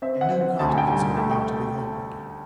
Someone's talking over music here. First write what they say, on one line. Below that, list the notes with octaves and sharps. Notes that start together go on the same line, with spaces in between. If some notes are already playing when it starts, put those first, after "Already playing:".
New continents are about to be opened.
C4 E5
F#5
C4
F#5
D2 A5
G#5
G5
G3 G#5
A3 A5
G5